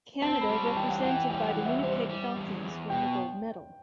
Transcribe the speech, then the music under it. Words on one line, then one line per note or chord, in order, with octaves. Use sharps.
Canada, represented by the Winnipeg Falcons, won the gold medal.
C4 A5
B5
G3
A5
E3 G5
F#5
E3 G5
G5
G3 G5
F#5
E3
E5
G3 C5
G3
E2
E2
B2 G5